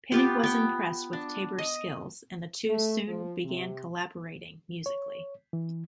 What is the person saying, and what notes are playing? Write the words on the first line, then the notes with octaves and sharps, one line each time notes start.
Pinnick was impressed with Tabor's skills and the two soon began collaborating musically.
B3 F4 G4
B3 G5
D4
D#5
A3
F3
C3
C#5
E3